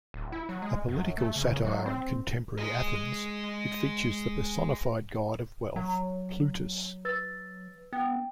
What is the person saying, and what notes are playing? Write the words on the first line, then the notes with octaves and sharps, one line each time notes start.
A political satire on contemporary Athens, it features the personified god of wealth Plutus.
D1
E4
F#3
G#3
F#2
A3
C#3
F#3
C4
G#3 D#5
F#3
B4 E6 A6
B3 G5